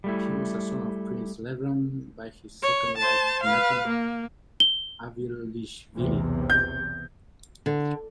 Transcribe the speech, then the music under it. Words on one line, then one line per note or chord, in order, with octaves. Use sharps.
He was a son of Prince Levan by his second wife, Tinatin Avalishvili.
G3 A3 E4
C#5
C5 A5
B4 F5
A#3
G7
B1 E2 C3
G6
D3